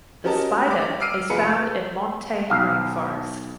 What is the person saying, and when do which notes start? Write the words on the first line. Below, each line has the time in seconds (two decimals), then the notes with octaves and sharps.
The spider is found in montane rainforest.
0.24 C#4 F#4 G4 A#4 D#5 A5
0.67 G3 D6
1.00 D6 E6 F6 C7 D7 D#7
1.30 F1 F4 G#4 B4 C#7
2.50 B1 F5